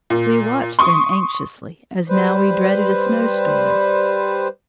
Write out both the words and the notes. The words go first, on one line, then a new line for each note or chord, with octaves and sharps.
We watched them anxiously, as now we dreaded a snow storm.
A#2
C6 C#6 D#6
G3 B4 C5